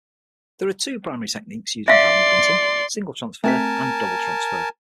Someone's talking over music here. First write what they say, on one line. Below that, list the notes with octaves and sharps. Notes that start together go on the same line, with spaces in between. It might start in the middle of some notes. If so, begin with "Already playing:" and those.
There are two primary techniques used in carbon printing: single transfer and double transfer.
D5 E5 F5 C6
A3 C4 A#4 G#5 A5 B6